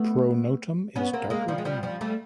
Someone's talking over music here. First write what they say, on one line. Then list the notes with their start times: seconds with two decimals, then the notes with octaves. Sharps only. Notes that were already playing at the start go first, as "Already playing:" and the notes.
Pronotum is darker brown.
Already playing: A3 B3
0.96 B3 C#4
1.13 A#3 C4
1.30 G#3 A#3
1.48 F3 G3
1.58 G#3
1.65 F3 G3
1.83 F3 G3
2.01 G3 A3